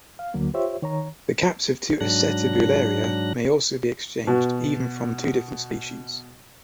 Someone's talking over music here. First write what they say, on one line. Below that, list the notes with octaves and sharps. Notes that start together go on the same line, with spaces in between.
The caps of two "Acetabularia" may also be exchanged, even from two different species.
F5
D2 D3 F#3 A#3
F4 G4 C5 C#5 E5
D#3 C#5 A#5
G#2 F#3 D4 F#6 A#6
B2 F#4